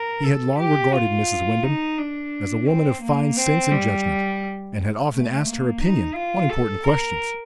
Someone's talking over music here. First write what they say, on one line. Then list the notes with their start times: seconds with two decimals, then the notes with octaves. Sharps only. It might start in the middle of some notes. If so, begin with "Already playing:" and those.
He had long regarded Mrs. Wyndham as a woman of fine sense and judgment, and had often asked her opinion on important questions.
Already playing: A#4
0.24 A4
0.60 G4
0.94 F4
1.63 D#4
1.98 D4
2.67 C4
3.02 A#3
3.37 C4
3.71 G3
5.11 A3
5.45 A#3
5.80 D#4
6.14 F4
6.49 A4
6.84 A#4